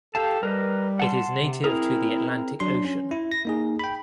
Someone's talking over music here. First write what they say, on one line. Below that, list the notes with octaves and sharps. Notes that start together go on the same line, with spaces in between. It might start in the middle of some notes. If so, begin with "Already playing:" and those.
It is native to the Atlantic Ocean.
G4 A4 F5 A5
G3 A#4 B4 D#5
F#5 A5 C6
C3
C4 E4 G#4 A#4
F#3 D4 C6
C#4
E4
A#6
A#3 D#4 G#4
G5 B5